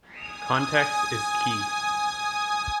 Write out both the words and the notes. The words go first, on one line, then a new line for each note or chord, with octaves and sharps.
Context is key.
G#5 D#6